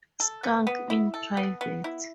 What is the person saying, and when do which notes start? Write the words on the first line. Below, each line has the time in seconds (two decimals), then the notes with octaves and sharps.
Skunk in private.
0.20 A4
0.43 B3
0.67 B3
0.90 E4
1.14 A4
1.37 B3
1.61 B3
1.84 E4